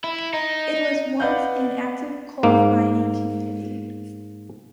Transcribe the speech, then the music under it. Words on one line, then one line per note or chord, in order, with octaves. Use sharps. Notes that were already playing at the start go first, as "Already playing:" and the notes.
It was once an active coal mining community.
E4
D#4
B4 D5 D#5 F5 F#5 G6
G#2 A#3